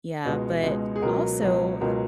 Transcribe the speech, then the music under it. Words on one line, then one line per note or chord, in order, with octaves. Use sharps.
yeah. But also
C#2 B2 G#3
C#2 B2 G#3
G#4
C#2 B2 F#3 A#4
C#2 B2 F#3
C#2 B2 F#3 A#4